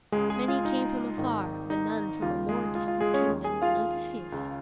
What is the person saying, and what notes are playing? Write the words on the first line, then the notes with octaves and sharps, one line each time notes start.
Many came from afar, but none from a more distant kingdom than Odysseus.
C#2 C#3 G#3 G#4
G#4 G#5
F4
D#4
G#1 G#2 D#3
D#4
D#2 C#3 F4
G#3 G#4
F4
F4
G#3 G#4
C#4 C#5
D#2 D#3
G#4 G#5
F4 F5
C#2 C#3